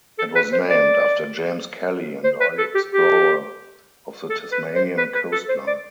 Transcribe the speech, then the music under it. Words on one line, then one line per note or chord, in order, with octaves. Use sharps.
It was named after James Kelly an early explorer of the Tasmanian coastline.
A4
B4
C5
D5
C5
B4
A4
G4
G4
A4
B4
C5
B4
B4
A4
C5
D5